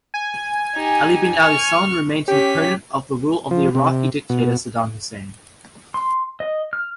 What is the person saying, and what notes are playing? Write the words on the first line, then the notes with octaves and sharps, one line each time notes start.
Ali bin Al-Hussein remained an opponent of the rule of Iraqi dictator Saddam Hussein.
G#5
D#4 G4
C#6 F6
C#4 G4 B6
F3
C3
B2
C6
D#5
F6